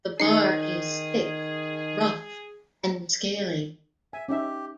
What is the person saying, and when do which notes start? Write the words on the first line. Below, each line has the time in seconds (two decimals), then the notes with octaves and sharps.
The bark is thick, rough, and scaly.
0.20 D#3 D#4 G#4 C7 C#7
4.13 E5 G#5
4.29 C#4 D#4 G4 E5